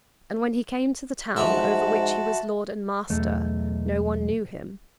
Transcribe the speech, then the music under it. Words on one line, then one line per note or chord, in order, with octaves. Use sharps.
And when he came to the town over which he was lord and master no one knew him.
G#2 F3 E4 F#4 A4 E5 A5
B1 E2 A3